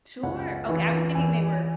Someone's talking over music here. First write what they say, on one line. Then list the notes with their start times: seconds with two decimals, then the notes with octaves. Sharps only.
Sure, okay, I was thinking they were
0.23 C#2 F#5
0.69 E3
1.15 E2 G#5